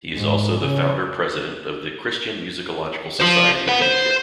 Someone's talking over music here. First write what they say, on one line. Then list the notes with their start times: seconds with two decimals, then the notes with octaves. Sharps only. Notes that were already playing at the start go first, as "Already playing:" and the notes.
He is also the Founder-President of the Christian Musicological Society of India.
0.15 G#2
0.60 C#3
3.20 F4 C5
3.68 B4 F#5
3.82 C5